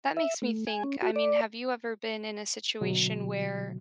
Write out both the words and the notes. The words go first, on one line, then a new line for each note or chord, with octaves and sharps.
that makes me think, I mean, have you ever been in a situation where
E5
A3
G#5
C#4
F#4
D5
B2 D3 F#3